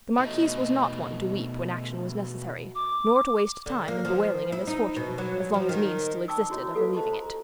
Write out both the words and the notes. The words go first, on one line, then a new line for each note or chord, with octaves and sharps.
The marquise was not one to weep when action was necessary, nor to waste time in bewailing a misfortune as long as means still existed of relieving it.
F#2 B2 A3 D#4
D6
D3
A#3
F3
E4
D#4
B2
F#3
F3
D#3
G5 A5 C#6 D6 E6
E4 F#4 C#5 D#5
F4 G4 A4 B4 F5
C5 D#5 A5 C#6
A#5